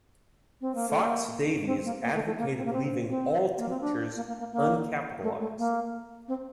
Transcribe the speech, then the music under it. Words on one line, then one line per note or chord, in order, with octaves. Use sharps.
Fox-Davies advocated leaving all tinctures uncapitalized.
C4
A#3
A3
A#3
D4
C4
A#3
A#3
A3
A3
A#3
C4
A#3
C4
C4
A#3
C4
D4
A#3
A#3
A#3
A#3
A3
A3
A#3
C4